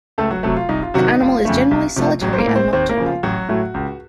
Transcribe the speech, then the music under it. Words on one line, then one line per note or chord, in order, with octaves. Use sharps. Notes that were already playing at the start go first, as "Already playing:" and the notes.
The animal is generally solitary and nocturnal.
C#2 A3 A4
F#3 F#4
C3 F#3 A3 A4
F4
C2 D#4
F4
C3 D#3 F#3 F#4
D#4
F1 F4
F2 C#3 A3
C2
C3 F3 A3
A1 F#3 F#4
C5
A#3 A#4
A2 A3
C4 C5
D#2 C4 C5
A#3 A#4
C#3 F3
F4
A1 F#3 F#4
A2 F#3 A3
C#2